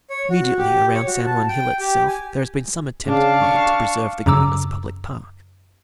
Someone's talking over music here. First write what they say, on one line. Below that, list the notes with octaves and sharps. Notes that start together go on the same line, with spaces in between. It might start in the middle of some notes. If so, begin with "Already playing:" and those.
Immediately around San Juan Hill itself there has been some attempt made to preserve the ground as a public park.
C#5
F#4
G4
C#5
F#4
A5
G5
G4
G#5
C#3 D4 F5
C#6
F#2 C#3 A#5 D6 E6